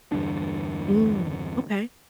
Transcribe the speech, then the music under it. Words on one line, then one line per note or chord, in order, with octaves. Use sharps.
Mm. Okay.
E2 G2 D3 D4